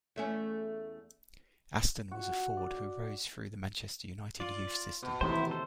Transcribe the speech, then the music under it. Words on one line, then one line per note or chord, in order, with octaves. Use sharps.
Aston was a forward who rose through the Manchester United youth system.
E2 A3 C#4
F#4
D5
F4 D5
B2
D#2 A2 C3 E3 E4 C5
A4 C5